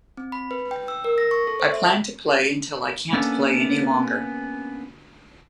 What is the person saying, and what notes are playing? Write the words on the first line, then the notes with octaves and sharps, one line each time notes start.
I plan to play until I can't play any longer.
C4
B5
B4
G5
E6
A#4
A#6
C#6
A4
C5
E5
A#3 B3 C#4 D4 A4